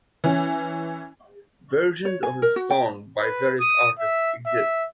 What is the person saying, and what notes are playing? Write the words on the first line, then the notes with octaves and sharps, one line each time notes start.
Versions of the song by various artists exist.
E3 C#4
C#5
G#5
A#4
F#4
G5
B4
D#6
E5
E5